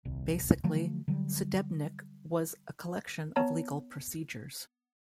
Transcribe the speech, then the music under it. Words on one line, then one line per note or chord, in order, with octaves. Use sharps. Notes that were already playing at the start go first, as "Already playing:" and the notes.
Basically, "Sudebnik" was a collection of legal procedures.
D#1 C2
D3 F3 F#3 A3
D3 F#3 G3
B3 C#5 A5 A#5